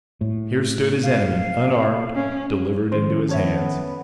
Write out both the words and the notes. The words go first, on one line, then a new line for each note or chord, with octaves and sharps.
Here stood his enemy, unarmed, delivered into his hands.
A2
F5
C#4
D#3 F3 C#4 C5
B3 A4 C#5 E5